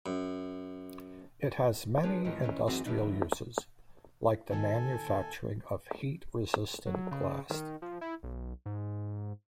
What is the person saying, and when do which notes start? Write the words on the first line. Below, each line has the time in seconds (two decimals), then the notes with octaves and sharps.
It has many industrial uses, like the manufacturing of heat resistant glass.
0.06 F#2
2.03 F3 D4 F4 G#4 B4 C#5
2.25 F2 G#2 D#3 E3
2.42 D#3 E3 C#4
2.67 F#2 E3 C4 D#4 F#4 G#4
2.85 F#2 B2 D3 E3 D#4
4.50 A#2 D#3 A4 G#5
6.86 F#3
7.11 C#3
7.50 D#3
7.82 F3
8.01 E4
8.23 B1
8.66 G#2